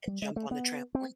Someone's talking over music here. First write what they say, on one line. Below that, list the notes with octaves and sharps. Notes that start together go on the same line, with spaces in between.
and jump on the trampoline,
G3
G#3
A3
B3
C4